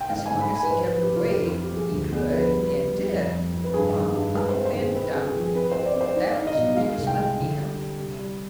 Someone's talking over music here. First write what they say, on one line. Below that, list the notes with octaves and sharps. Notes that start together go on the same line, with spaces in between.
As long as he kept awake, he could, and did, bob up and down. That was amusement enough.
G5
G#2 F5
G#5
G#2
B5
G#2 G#5
B4
F3 C5
B4
F3
G4
C3 F4
F2 G4
F4
F2
G4
F2 G#4
D2
B3 G#4
F3 B4
G3 B4
G3
G3
F2
F2
F2
B4
G2 G#4
D#3
G2
G#3 B4
C5
C4
C5
D#3
G#4
C4 B4
G#4
C4
G#4
F3
G#4
C4 B4
C5
C4
D5
C4 C5
D#4 D5
D#4 F5
D#5
B2
G#3 F5
C2
G5
G#3
D3
G3
G3
C3
G3